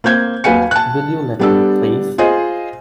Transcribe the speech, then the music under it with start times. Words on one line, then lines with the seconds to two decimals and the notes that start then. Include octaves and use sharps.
Will you let me, please?
0.04 A#3 C4 G6 G#6
0.44 D#2 F#3 B4 F5 G#5 C#7
0.71 A5 F#6
1.39 G3 B3 D4 G4 A4
2.18 F4 G#4 C5 D#5